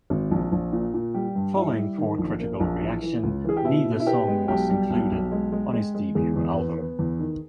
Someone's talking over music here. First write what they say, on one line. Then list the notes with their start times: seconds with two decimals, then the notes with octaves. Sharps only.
Following poor critical reaction, neither song was included on his debut album.
0.10 G#1
0.31 A#1
0.52 A#1
0.73 A#2
0.94 A#2
1.14 G3 G4
1.35 G2
1.56 G3 E4
1.77 G3
1.98 D#3
2.18 A#1
2.39 A#3
2.60 A#1
2.81 E3
3.03 E3
3.23 C#2
3.44 E3 G#4
3.57 G4
3.64 B2 E4
3.85 B2
4.00 E4
4.06 B3 G4
4.28 G#3
4.48 B1 G4
4.69 G3
4.90 B1
5.11 B1
5.32 G#3
5.52 G#3
5.73 G#3
5.94 G#3
6.15 E2 G#4
6.36 E2
6.56 B3
6.78 B3
6.99 E2
7.19 D#3